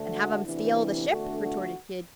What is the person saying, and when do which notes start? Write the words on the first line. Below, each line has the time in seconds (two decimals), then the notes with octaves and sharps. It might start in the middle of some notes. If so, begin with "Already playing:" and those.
"And have them steal the ship!" retorted Kidd.
Already playing: D2 D3 A3 D4
0.11 F#4
0.43 D2 C3 E3 B3 D4 E4
1.09 E2 D3 A3 D4 F#4
1.41 F#4